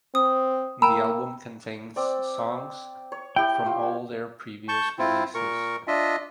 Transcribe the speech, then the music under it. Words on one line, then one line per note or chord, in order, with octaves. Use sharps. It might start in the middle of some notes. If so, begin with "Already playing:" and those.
The album contains songs from all their previous releases.
C4 D#6
A#3 G5 A#5 B5 E6
C4 D5
C#5
E4 G4 G5
F4
A5 C#6 G6
C4 E4 F4
A#2 A#4 C#6
D4 F4 D#5 E5